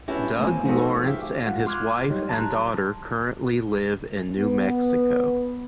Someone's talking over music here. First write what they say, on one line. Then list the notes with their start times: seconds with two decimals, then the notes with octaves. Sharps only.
Doug Lawrence and his wife and daughter currently live in New Mexico.
0.08 B3 C#4 D4 E4 F#4 G4
0.38 E2 A#3 C4 D#5 F5 G#5
0.65 F3 D#4 F#4 A4
1.04 G4 E5 F5
1.46 G#3 F4 F5 F#5
1.67 C6 D6 F6 F#6 G#6
2.10 F#3 G3 D#4 G4 C#5
2.29 A5 A#5 C6 F#6
4.38 B3